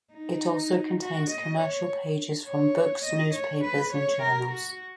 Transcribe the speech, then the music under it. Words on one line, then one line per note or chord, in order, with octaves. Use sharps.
It also contains commercial pages from books, newspapers, and journals.
D#4
F#4
D#5
C#5
C#5
D#5
C#5
B4
C#5
A#4
F#4